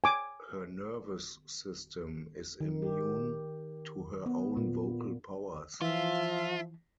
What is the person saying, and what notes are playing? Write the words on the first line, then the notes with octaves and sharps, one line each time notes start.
Her nervous system is immune to her own vocal powers.
G#5 D6
D#3
G4
B3
A#2
E3 F3 F4 E5